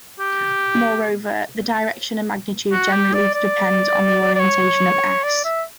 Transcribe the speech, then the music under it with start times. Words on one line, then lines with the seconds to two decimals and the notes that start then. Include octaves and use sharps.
Moreover, the direction and magnitude generally depend on the orientation of "S".
0.20 G4
2.72 F#4
2.93 G4
3.14 D5
3.34 D5
4.35 D5
4.40 C#5
5.24 D5
5.45 E5